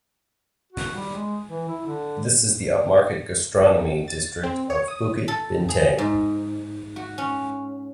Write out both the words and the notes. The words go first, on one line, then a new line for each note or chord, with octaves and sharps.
This is the upmarket gastronomy district of Bukit Bintang.
F#4
G3
G#3
E3
E4
D3
A6
C4
C#5
D#6
A4
G#4
G#2
F#4
C#4